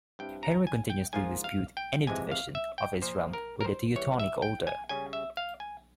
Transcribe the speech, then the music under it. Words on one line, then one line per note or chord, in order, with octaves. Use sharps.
Henry continuously disputed any division of his realm with the Teutonic Order.
G2 G3 C4 E4 G5
A#5
G#5
G5
G#2 F3 A#3 F4 G#5
F5
G5
F2 C3 E3 G#3 G#5
F5
E5
G5
A#2 F3 A#3 C5
A#4
A#4
C5
E2 E3 G3 C#5
E5
G5
G#5
C#3 G3 C#4 G#5
E5
F5
G#5